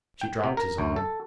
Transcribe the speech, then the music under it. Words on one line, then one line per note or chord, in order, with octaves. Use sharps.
She dropped his arm.
G5
C3
A#4
D2
A4